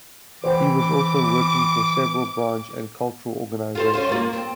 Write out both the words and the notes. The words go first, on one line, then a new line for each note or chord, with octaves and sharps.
He was also working for several branch and cultural organisations.
E3 C5 G5 D6
F4 A4 C5
C#4 F4 C5
A#3 F4
C4